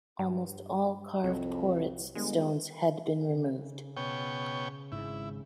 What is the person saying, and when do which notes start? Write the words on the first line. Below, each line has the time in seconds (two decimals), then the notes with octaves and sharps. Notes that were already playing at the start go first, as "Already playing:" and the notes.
Almost all carved porites stones had been removed.
0.19 G2
1.24 C2 F2
2.15 G1 G#3
3.27 C#3
3.97 B2 C#5 G5
4.92 G#1 G#2 E4